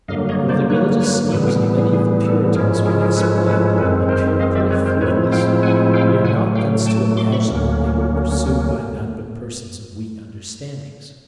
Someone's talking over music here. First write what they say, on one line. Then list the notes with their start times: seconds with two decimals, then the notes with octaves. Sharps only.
Though the religious schemes of many of the Puritans, when explained, appear pretty frivolous, we are not thence to imagine that they were pursued by none but persons of weak understandings.
0.08 G2 D3 F#3 A#3 D#5 F5
0.29 C#5 D#5
0.49 C5 D5
0.70 B4 C#5
1.01 B4 C#5
1.31 A2 E3 G3 B3 A4 B4
1.47 G#4 A#4
1.62 A4
1.78 G#4
1.93 G#4
2.24 A4
2.55 G#2 F3 G#3 C#4 E4 G#4 A#4
2.86 G#4 A#4
3.01 G#4 A#4
3.16 A4 B4
3.47 A4 B4
3.78 F#2 D#3 G#3 C4 A4 B4
4.09 A#4 C5
4.39 D#5 F5
4.55 D5 E5
4.70 B4 C#5
4.86 A#4 C5
5.01 A2 F3 G#3 C4 E4 B4 C#5
5.32 F5 G5
5.63 F#5 G#5
5.94 F5 G5
6.25 A2 F#3 A3 F#5 G#5
6.55 F5 G5
6.86 G5 A5
7.17 C6 D6
7.32 B5 C#6
7.48 D2 D3 F#3 A#3 C#4